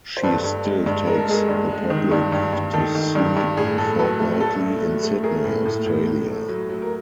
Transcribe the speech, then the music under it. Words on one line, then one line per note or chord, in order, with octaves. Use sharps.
She still takes the public to sea fortnightly in Sydney, Australia.
C5
G2 A4 B4
G2
G#3
G2
G#3 A#4
A4
G#3 G#4 A#4
G2
G#3
D#3
G2
G2
G2
D#3 A4
D#3
G2
G2
A2 G#4
A2 A4
F#3 A4 B4
A3 A4
A3 A4
A3
F#3
A3
A3 G#4 A#4
A2
A2
A2
A2
A3
F#3
F#3
A#4